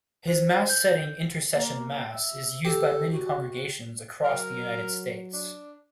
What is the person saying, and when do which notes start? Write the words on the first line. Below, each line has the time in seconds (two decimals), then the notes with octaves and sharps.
His mass setting "Intercession Mass" is used by many congregations across the United States.
0.27 C5
0.69 G6
1.54 A#3
2.09 E5
2.65 G4 A4
3.12 F#4
4.24 F#3 A#4
5.33 D4